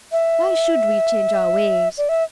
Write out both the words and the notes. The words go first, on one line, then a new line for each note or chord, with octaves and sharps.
Why should we change our ways?
E5
D5
E5